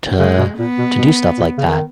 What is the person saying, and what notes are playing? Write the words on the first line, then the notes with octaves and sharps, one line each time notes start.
to to do stuff like that.
C#3 G#3
B2
A#2 B3
B2
B2
A#2
C#3
D#3